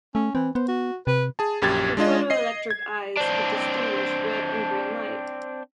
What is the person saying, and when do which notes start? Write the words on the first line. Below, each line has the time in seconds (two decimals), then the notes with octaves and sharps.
His photoelectric "eyes" could distinguish red and green light.
0.15 A3 C#4
0.35 E3 C4
0.55 B3 C5
0.68 F#4
1.07 C3 B4
1.39 G#4 A5
1.62 A#1 F#2 G4 G#6 A6
1.97 G#3 D4 F4 D#5
2.30 D#5 C7
2.71 G#6
3.17 C4 D4